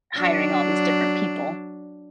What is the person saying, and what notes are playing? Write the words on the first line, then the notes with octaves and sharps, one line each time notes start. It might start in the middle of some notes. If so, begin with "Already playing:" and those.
hiring all these different people.
F#3 D4